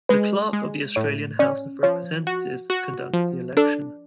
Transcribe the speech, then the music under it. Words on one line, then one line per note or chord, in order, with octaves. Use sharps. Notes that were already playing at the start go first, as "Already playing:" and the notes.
The Clerk of the Australian House of Representatives conducts the election.
G#3 B4
G#3
A2 C#5
C#4 D5
F3 C#5
F#4
F#4
F3
D4 A4